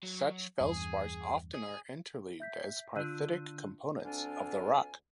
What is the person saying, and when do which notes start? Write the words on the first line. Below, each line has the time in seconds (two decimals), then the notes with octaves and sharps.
Such feldspars often are interleaved as perthitic components of the rock.
0.03 F#3
0.60 E2 G2 G#4
1.54 G#4
2.40 E5 G6 B6
2.96 D3 D4 F4 E6 F#6 D#7
4.04 D2 D3 C4 D4 F4 G#5